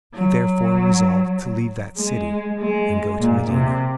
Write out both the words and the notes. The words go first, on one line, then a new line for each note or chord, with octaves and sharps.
He therefore resolved to leave that city and go to Medina.
F#3
G#3
G#3
A#2
C3